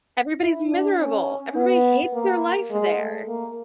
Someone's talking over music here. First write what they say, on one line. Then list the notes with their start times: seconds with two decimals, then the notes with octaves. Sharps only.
Everybody's miserable. Everybody hates their life there.
0.41 E4
0.69 D4
0.98 C#4
1.56 B3
2.14 A#3
2.71 G#3
2.99 A3
3.28 A#3